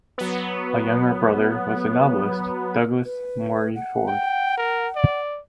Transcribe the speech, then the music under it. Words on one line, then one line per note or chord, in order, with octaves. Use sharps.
A younger brother was the novelist Douglas Morey Ford.
F#3 B3
B4
F#5
G5
A#4
D5